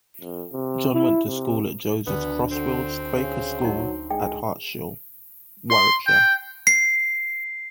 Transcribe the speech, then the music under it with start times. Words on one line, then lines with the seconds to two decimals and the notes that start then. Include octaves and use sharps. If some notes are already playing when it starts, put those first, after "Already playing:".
John went to school at Joseph Crosfields Quaker School at Hartshill, Warwickshire.
0.21 F2
0.53 C3
0.93 E4
1.27 C3
2.07 D2 B3 D4
2.51 D3 C4
3.14 C#3
3.62 F#3 D#4 A#5
4.11 G#3 G5
5.70 C6
6.07 G5
6.67 C7